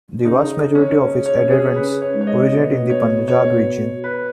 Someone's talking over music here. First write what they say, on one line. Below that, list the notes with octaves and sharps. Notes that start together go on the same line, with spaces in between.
The vast majority of its adherents originate in the Punjab region.
C#3 D#4
C#4
C#3
C#5
G#4
C#3 B4
C#5
G#2
C#5
D#5
B2 D#5
C#5
C#5
B4